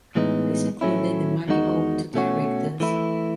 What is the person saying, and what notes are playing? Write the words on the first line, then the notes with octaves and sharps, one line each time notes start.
This included the money owed to directors.
A2 E3 G#3 B3 D#4
A2 F#3 A3 C#4 E4
E2 D#3 G#3 D#4 F#4
B2 A3 C#4 F#4
E3 A3 E4